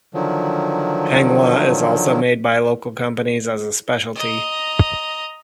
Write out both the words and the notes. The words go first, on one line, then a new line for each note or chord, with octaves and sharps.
Hangwa is also made by local companies as a specialty.
D3 D#3 F3 F#3
D#5 A#5